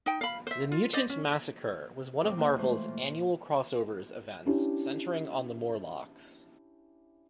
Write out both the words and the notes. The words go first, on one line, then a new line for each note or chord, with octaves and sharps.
The "Mutant Massacre" was one of Marvel's annual crossovers events, centering on the Morlocks.
D#4 G5
F5 B5
C5 E5
F4
C5 D5 D#5
C#4
D#2 A2 C4 C5 D6 D#6
D#2 A#3 A4 F#6
E3 G#3 A3 F4 C5 C#5
A#2
C#4 D4 E4 G4